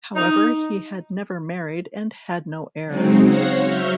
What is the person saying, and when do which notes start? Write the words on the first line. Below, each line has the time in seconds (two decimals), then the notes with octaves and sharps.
However he had never married and had no heirs.
0.16 D#4
2.86 C#3 F#3 G#3 C4 D#4
3.24 C5 C#5 F5 F#5 A#6
3.64 F#3 E5 C#6 F6 G6